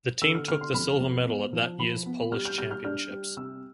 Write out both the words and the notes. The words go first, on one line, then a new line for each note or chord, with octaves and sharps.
The team took the silver medal at that years Polish Championships.
D3 E6
F6
D3 F6
C6
F2 B5
F2
B3
F3
F3 B5
B3
G3 F6
G6
G3 F6
F6
D4 F6
G3
C3 E6